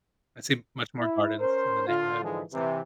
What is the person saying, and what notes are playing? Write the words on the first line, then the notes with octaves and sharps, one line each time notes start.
I see much more gardens in the neighborhood, for example.
E4
C#4 A#4 C5
D3 F4
G#2 D3 E3 F3 G#3
C3 E3